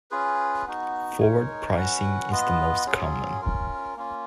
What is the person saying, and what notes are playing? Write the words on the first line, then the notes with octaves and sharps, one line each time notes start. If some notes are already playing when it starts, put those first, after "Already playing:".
Forward pricing is the most common.
C#4 F4 G#4 B4
B3 D#4 F#4
G#3 D#4 A#4 C#5
C#4 F#4 B4 F#5
B3 F4 B4 D#5
F#3 C#4 F4 G#4
C#4 F4 A#4
A#3 C#4 F4